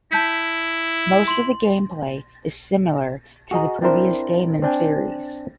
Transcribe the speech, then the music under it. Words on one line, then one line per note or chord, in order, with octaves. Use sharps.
Most of the gameplay is similar to the previous game in the series.
E4 A5 G6 B6
C6 F#7
F#4 G#4 D#5 A#5
C4 D4 E4 A#4 C5
C4 D4 G5 G#5